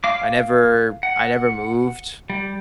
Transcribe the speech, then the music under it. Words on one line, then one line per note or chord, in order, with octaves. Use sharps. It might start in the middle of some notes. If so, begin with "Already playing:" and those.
I never I never moved.
F5 D6
F#5
G3